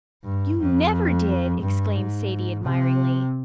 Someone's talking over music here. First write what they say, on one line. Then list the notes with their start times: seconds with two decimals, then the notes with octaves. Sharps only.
"You never did!" exclaimed Sadie admiringly.
0.24 G2
0.59 F2
1.61 G2
1.95 G#2
2.64 C3